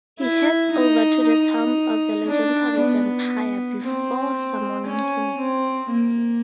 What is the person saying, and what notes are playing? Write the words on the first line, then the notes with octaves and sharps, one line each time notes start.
He heads over to the tomb of the legendary vampire before summoning him.
E4
D#4
D#4
D4
B3
C4
C#4
C4
A#3